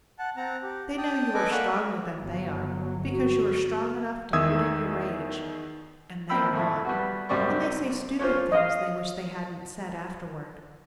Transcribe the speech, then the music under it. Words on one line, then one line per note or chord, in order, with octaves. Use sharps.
They know you are stronger than they are, because you are strong enough to hold in your rage and they are not, and they say stupid things they wish they hadn't said afterward.
F#5 A5
C4 F#5 A5 A#5
G4
G5 A5 D#6
A4 B4 D#5 G#5 D6
A#3 D5 F#5 B5 C#6
G1 F#3
F#4
E2 D#3 E5 D#6 E6 G#6
A#1 C4 A#4 G5 B5 E6
F2 A2 A3 E4
G3 B3 F#4
C#2 F#2 G3 C4 D5 C#6
C#4 D4 F4 C5
D#5 F5